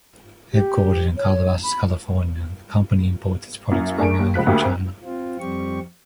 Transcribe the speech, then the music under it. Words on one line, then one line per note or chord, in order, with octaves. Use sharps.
Headquartered in Calabasas, California, the company imports its products primarily from China.
G4
C#5
B5
F#2 A#3 E4
A3 D4 G#4 A#4 D7
D#2
C#2 F3 F#6 B6
D2 A#3 F#4 G4 A#4 D#6
C4 A#5
C4 F4
F2 G3 C4 G4 C#6